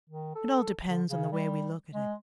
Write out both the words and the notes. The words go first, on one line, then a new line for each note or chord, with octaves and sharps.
It all depends on the way we look at it.
D#3
A4
D3
C#3
G3
G#3